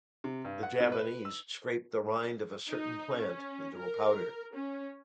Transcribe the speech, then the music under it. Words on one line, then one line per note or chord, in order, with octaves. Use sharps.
The Javanese scrape the rind of a certain plant into a powder.
C3
G2
F#5
B2
B4
E6
D#4
C#4
A#4
C#4